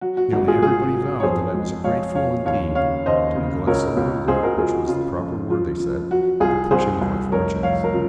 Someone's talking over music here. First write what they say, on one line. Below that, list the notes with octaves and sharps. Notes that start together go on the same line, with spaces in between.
Nearly everybody vowed that I was a great fool indeed, to neglect so rudely--which was the proper word, they said--the pushing of my fortunes.
F#3 F#4
F#4
G#1 F#4
F4 G#4
G#1 F4 G#4
F#3
C#5
F2 G#4 C5
G#3
G#3 C#5 F5
F2 C#5 F5
D#2 C#5 F5
C#3 C#5 F5
D#2 C5 D#5
C#3
C#2 A#4 C#5
C#2
C#2 G#4 C5
F#4 A#4
C#2 F4 G#4
F#4
C#3 F4
F2
F3 F4
F3
F#3 F#4
C2 F4 G#4
C2 G#4 C5
C2
F1 A#4 C#5
F1 C#5 F5
A#4
C#3 F4